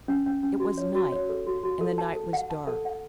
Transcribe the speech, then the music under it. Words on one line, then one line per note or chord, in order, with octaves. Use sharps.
It was night, and the night was dark.
C#4
C#4
C#4
F#4
C#5
F#4
C#5
A4
F#4
F#4
A4
A5
A4
F#5
A5
A4
F#5